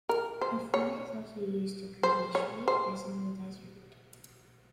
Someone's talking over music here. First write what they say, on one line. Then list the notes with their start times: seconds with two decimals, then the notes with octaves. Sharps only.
A fly is also used to create shade as in the desert.
0.09 A#4
0.41 C5
0.74 C#5
2.03 C5
2.35 C#5
2.68 C5